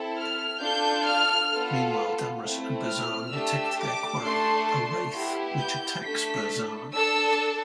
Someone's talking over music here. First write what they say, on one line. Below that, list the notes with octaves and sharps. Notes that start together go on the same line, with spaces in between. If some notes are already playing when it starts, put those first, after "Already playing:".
Meanwhile, Damrus and Burzaan detect their quarry, a "Wraith" which attacks Burzaan.
Already playing: C4 E4 A4
F6
D4 F4 A4 G6
F6
B3 F4 A4
A3 C4 E4
F6
A3 D4 G4 E6
D6
A3 D4 A4 C6
C6
B3 E4 G4
G6
A3 D4 A4 B6
D4 A4 E6